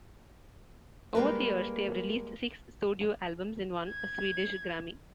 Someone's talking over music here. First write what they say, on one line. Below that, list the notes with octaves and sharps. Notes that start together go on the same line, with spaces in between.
Over the years they have released six studio albums and won a Swedish Grammy.
G3 G#3 A#3 A#4 B4
G#6